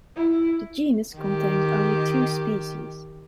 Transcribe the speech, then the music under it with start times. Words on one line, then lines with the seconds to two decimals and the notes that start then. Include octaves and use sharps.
The genus contains only two species.
0.16 E4
1.17 D#3 G4